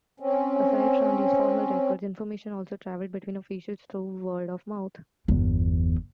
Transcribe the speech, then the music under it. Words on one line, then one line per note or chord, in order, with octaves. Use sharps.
Aside from these formal records, information also travelled between officials through word of mouth.
C4 C#4
G1 E2